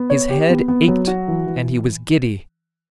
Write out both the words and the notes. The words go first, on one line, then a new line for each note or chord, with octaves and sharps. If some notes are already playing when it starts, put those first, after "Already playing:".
His head ached and he was giddy.
Already playing: B3
C#5
G4
B3
B3
F#3
F#4
E3
E3